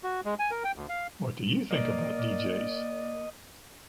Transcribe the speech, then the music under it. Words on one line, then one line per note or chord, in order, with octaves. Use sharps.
What do you think about DJs?
F#4
G#3
G#5
A#4
G5
D2
F5
A#3 D5 D#5